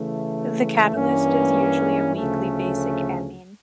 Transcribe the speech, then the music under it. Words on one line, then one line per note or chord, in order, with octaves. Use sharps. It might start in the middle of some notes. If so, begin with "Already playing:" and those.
The catalyst is usually a weakly basic amine.
Already playing: C#3 E3 A3
G2 E3 A#3 C#4
D2 C#3 F3 A3 C#4